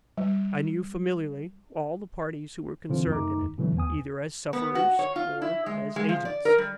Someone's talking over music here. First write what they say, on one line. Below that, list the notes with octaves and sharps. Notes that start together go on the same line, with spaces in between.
I knew familiarly all the parties who were concerned in it, either as sufferers or as agents.
G3
B2 D3 E3 F3 C4 F4
F#2 D#3 A3 D#4 A#5 D6
B2 D3 E3 F#3 A3 B3
D#2 B3 G#5 D#6
B3
F#4
C#5
F4
E4
G#3
G#3
F3
D5
A#4
G3